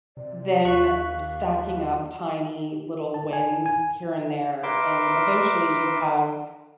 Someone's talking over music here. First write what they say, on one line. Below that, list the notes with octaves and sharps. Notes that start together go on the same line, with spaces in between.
then stacking up tiny little wins here and there, and, eventually, you have
C3 D5
D#2 F5 C#6 F#6 B6
A5
G#5
G#5
A#4 B4 E5 C6 D6